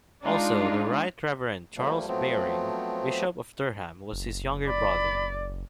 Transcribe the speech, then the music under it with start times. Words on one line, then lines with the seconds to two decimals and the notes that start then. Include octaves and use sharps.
Also, the Right Reverend Charles Baring, Bishop of Durham, was his younger brother.
0.24 G#3 D4 D#4 F4
1.77 F3 G3 A3 A#3
2.08 F3 F#3 A3 B3 C4
4.12 F#1
4.67 D5 B5